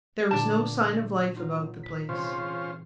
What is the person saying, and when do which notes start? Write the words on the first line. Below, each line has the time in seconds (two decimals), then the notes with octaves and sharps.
There was no sign of life about the place.
0.31 A#2 D3 B3 D4 A5
1.35 F#3 D#4 F4
1.83 B6
2.09 C3 E3 G#3 C#4 F4 C5